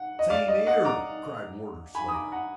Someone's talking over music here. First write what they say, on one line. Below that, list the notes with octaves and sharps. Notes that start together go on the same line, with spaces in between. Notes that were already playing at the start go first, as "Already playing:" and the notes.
"Same 'ere!" cried Warder Slater.
Already playing: F#5
D#5
D5 F5
D#5
D#5 F#5
A#5 D6
G#5 B5
D#6
A#5 D6
F#5 A#5